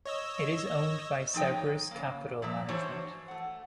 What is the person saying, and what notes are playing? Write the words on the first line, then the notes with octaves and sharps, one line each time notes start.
It is owned by Cerberus Capital Management.
C#5 D#5 E6
A#2 F3 D#4 G#4 G5
D#4 C#5
C#3 A#3
G2 F3 D5 E5 A#5
A2 E3 D4 F#4 C5 C#5
A3 F#5